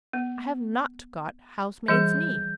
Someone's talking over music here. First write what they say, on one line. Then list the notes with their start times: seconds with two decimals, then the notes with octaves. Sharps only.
I have not got housemaid's knee.
0.13 B3
1.88 E3 G3 G#4 G6